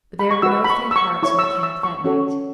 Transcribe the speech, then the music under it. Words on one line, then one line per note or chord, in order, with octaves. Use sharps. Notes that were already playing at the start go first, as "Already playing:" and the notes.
But there were no faint-hearts in the camp that night.
B5
C#6
F#4 B4 E6
B5
C#6
E6
C#6
E4 C#5 C#6
E6
C#6
E6
C#6
C#4 F#4 A4 C#5